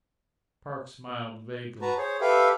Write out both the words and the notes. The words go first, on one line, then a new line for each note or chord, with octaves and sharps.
Park smiled vaguely.
F#4 B4 A5 A#5
G#4 C5 C#5
G4 A4 B4 E5 F5